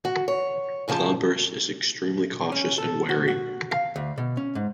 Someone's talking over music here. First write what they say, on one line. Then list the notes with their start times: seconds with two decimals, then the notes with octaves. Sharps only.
Cloudburst is extremely cautious and wary.
0.05 F#4
0.28 C#5
0.88 F#2 C#3 F3 A5
2.52 C#4
2.78 A4
3.09 F#4
3.28 F#4
3.71 F5
3.96 D2
4.18 B2
4.37 C#4
4.55 G#2